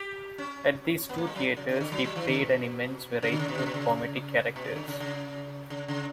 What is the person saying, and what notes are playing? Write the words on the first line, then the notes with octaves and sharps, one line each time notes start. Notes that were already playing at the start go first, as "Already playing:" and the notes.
At these two theatres he played an immense variety of comedic characters.
Already playing: G4
C#4
B3
A#3
G3
F#3
C#3
C#3
D3
F#3
G3
E3
D3
B2
C#3
D3
C#3
B2
C#3
B2
C#3
B2
C#3
D3
C#3
C#3
C#3
C#3